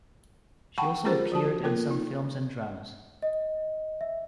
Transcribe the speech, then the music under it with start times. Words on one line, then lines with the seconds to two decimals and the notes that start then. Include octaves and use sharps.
She also appeared in some films and dramas.
0.78 F#5 G5 A5 B5 C#6
1.05 C#4 F4 G4 G#4 A#4 C5
1.32 F3 F#4 A5
1.64 A#3 F4 A4 A#4
1.91 D#4
3.22 D#5
4.01 E5